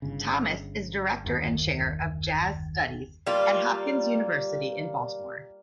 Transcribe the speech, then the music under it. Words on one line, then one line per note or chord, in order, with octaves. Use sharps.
Thomas is Director and Chair of Jazz Studies at Johns Hopkins University in Baltimore.
G1 C#3
F#1 D#2 D#3
G3 A#3 F4